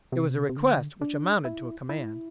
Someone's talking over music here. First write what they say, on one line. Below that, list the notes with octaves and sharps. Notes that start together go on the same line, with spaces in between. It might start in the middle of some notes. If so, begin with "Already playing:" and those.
It was a request which amounted to a command.
C3
C3
D3
D4
E4
E4